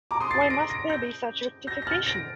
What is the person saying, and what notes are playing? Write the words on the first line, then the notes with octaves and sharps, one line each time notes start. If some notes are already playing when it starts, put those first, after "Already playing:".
Why must there be such rectification?
A#5 D6
C6 D#6
A6 C7
A6 C7
A#6 D7
A#6 D7
G6 A#6
G6 A#6
A#6
F6 A6
A#6 D7